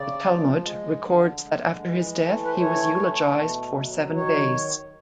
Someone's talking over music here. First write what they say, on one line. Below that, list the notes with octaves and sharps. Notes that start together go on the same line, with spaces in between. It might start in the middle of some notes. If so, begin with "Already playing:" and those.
The Talmud records that after his death, he was eulogized for seven days.
Already playing: C#3 D5
F3
G#3
D3
G#3
E3
A3
B4
C5
E3 C#5
A3
B2
F#3
D#3 C#5